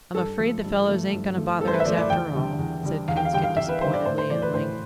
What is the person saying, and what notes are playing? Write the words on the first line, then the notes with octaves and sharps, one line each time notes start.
"I'm afraid the fellows ain't going to bother us after all," said Coonskin disappointedly, at length.
G2 A4
F3 A3
G2
F3 A3
G2
F3 A3
G2 A4
C5
B4
E5
F3 A3 D5
D5
E2 G5
D3 G3
E2
D3 G3
E2 F5
G5
F5
D3 G3 G5
F5
E2 E5
B4
D3 G3 C5
D5
A2 C5
C5
E3 A3 D5
B4
A2 C5